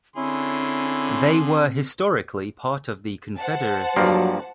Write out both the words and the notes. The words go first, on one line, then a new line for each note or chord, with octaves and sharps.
They were historically part of the confederacy.
D3 C4 C#4 E4 G#4 C6
C5 F#5 A5
G2 F3 F#3 A#3